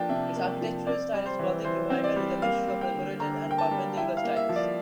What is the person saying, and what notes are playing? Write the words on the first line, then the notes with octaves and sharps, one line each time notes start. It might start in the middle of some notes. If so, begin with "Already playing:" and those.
Its architectural style is Gothic Revival, with a mixture of Decorated and Perpendicular styles.
Already playing: F3 A#3 D4 G5 A5
C3 E5
A#3
F3
C4 D5
G3
C5
E3
E3 C5
C4
D5
G3
A#3 F5
G3
G5
D3
D3 A#5
A#3 G5
A5
G3
E4 G5
F5
A#3
E5
F3
D5